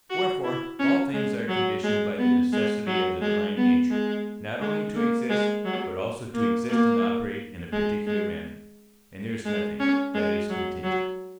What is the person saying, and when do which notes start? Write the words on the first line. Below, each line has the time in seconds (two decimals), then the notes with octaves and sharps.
Wherefore all things are conditioned by the necessity of the divine nature, not only to exist, but also to exist and operate in a particular manner, and there is nothing that is contingent.
0.10 F#4
0.44 E4
0.79 C#4
1.14 G#3
1.48 F#3
1.83 G#3
2.18 B3
2.53 G#3
2.87 F#3
3.21 G#3
3.57 B3
3.91 G#3
4.61 G#3
4.95 A#3
5.29 G#3
5.65 F#3
6.34 A#3
6.69 A#3
7.72 G#3
8.07 G#3
9.45 G#3
9.80 C#4
10.14 G#3
10.50 F#3
10.84 F#3